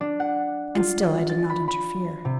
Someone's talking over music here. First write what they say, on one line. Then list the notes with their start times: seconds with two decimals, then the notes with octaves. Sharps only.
And still I did not interfere.
0.01 D4
0.20 F#5
0.75 F4
1.29 A6
1.50 B5
1.68 B5
2.25 C3